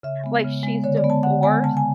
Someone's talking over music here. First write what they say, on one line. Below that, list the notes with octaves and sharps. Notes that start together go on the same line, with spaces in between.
like, she's divorced
C#3 E5
G#3 B3
C#3
G#3 B3
D3 C#5
D5
G#3 B3
A5
D3 F#5
G#3 B3 G#5
C#3 A5
G#5